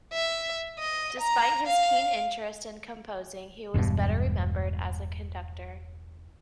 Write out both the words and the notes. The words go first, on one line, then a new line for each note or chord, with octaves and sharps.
Despite his keen interest in composing, he was better remembered as a conductor.
E5
D#5
A#5
F5
E1 G2 B2